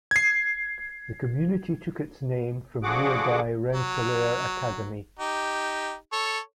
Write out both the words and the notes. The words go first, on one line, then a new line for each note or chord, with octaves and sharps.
The community took its name from nearby Rensselaer Academy.
G#6 C7
D3 F3 F#4 G#4 F#5 D6
F#3
D#4 G4
A4 C#5